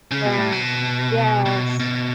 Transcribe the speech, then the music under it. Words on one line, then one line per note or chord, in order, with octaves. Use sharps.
Yeah. Yes.
C#3
B2
A2
B2
B2
B2